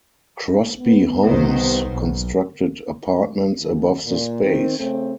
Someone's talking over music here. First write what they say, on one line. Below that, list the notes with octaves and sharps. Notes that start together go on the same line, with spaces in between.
Crosby Homes constructed apartments above the space.
B3
C2 D#3 C5
B1
D#2
A#2
D#3 C4
C#3 A3 C4